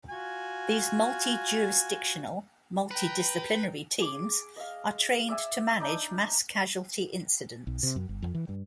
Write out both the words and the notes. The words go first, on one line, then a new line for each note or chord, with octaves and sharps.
These multi-jurisdictional, multi-disciplinary teams are trained to manage mass-casualty incidents.
F4 F#4 G#5
B4 G5 A#5
G#4 D6
D#5 F5
D5 E5 G5 G#5
D4 D#4 D5
B1
C3
F#2
G1
F2
E3
G2